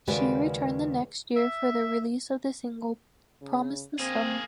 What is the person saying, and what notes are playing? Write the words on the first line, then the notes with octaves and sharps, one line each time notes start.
She returned the next year for the release of the single "Promise the Star".
D#2 C#3 G#3 F#4 B4 D5
E5
C#3
A#3 C4 G#4